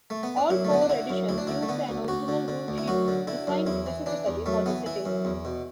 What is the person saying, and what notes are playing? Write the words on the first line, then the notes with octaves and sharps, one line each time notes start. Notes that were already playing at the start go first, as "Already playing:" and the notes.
All four editions used an original ruleset designed specifically for the setting.
A3
B3
D4
F#2 E4
A3
D3 B3
D4
D3 E4
F#2
D2 E4
D4
D3 E4
A3
D3 B3
D2
D2 F#4
D3
D3
D2
E4
F#2 F#4
D3
D3 E4
F#2
E2 E4
E3
E3 D4
E2
F#2 A3
E3 B3
E3 E4
F#2
E2
B2